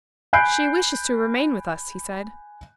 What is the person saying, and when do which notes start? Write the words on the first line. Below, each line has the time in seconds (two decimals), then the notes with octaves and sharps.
"She wishes to remain with us," he said.
0.33 G#5 B5 F#6 G6 C7 D7